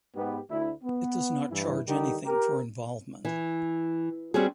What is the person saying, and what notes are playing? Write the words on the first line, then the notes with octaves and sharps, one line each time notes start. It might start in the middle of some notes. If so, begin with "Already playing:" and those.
It does not charge anything for involvement.
G#2 B3 G4
D2 E4
B3
G2 E3 E4
D3 D#3 G3 D#4 G4 A#4
G4 A#4
E3
G3 C4 C#4 F#4 G#4